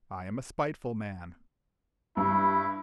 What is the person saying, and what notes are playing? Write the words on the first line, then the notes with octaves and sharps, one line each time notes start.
I am a spiteful man.
G2 E4 B5